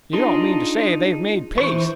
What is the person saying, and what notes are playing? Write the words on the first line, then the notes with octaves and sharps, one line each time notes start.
"You don't mean to say they've made peace?"
D4 D#4 F4 G#4 C6
E3 C5 C#6